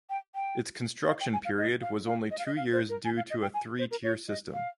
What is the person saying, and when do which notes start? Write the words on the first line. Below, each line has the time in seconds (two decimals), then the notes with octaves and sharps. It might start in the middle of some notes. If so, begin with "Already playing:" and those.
Its construction period was only two years due to a three-tier system.
0.10 G5
0.35 G5
1.08 F5
1.20 G5
1.33 G#5
1.45 F5
1.58 D#5
1.82 F5
2.06 F5
2.31 D#5
2.39 F5
2.46 D#5
2.56 F5
2.73 C5
2.89 A#4
3.05 G#5
3.17 F5
3.30 D#5
3.42 G5
3.54 G#5
3.79 C5
3.91 A#4
4.03 C#5
4.28 D#5
4.53 F5